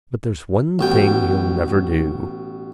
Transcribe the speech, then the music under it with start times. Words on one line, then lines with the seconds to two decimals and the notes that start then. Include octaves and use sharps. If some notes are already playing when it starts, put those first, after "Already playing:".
But there's one thing he'll never do.
0.79 A1 B2 G5